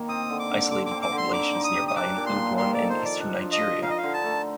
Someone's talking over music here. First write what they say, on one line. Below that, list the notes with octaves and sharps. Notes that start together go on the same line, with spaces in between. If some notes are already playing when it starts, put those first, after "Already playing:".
Isolated populations nearby include one in eastern Nigeria.
Already playing: D#3 A#3
C4 D#6
D3
D6
D3
D3 D6
D6
C4
D6
D3
C6
D#4 D6
D#4
D#6
G4
D#6
D4 D6
A#2
C6
F3
D#3 C6
A4 D5
C5
A4
D5
D4
F3
D#5
F4
D#4 F5
D#5
F5
D3
A5
A3